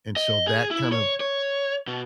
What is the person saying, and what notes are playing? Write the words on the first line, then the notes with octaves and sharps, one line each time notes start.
and so that kind of,
D#5
G#4
E4
C#5
C#5
B2